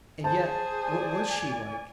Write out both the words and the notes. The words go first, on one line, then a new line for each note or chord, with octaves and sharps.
And yet--what was she like?
G#4 C5 A5
D5 G#5